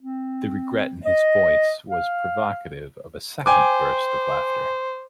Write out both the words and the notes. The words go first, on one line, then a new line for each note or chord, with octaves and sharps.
The regret in his voice was provocative of a second burst of laughter.
C4
D#5
F5
C5 G5 G#5 D6